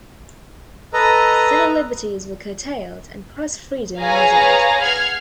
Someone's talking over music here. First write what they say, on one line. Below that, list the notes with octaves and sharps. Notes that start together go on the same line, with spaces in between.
Civil liberties were curtailed and press freedom muzzled.
A4 B4 D#5 A#5
G#4 B4 C#5 F5 G#5 A#5
F#5 F6 G#6 C7